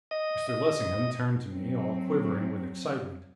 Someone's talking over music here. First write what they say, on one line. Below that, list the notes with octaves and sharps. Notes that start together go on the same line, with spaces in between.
Mr Lessingham turned to me, all quivering with excitement.
D#5
D#5
F#3 C4